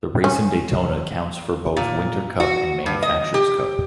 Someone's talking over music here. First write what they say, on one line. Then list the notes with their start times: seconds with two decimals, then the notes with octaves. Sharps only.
The race in Daytona counts for both Winter Cup and Manufactures Cup.
0.24 C#4
1.77 A#2
2.40 F#4
2.86 G2
3.03 D#5
3.34 G4